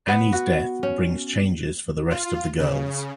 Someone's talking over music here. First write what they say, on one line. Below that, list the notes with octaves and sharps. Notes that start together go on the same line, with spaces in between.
Annie's death brings changes for the rest of the girls.
B3
F#4
C#4
F4
C#3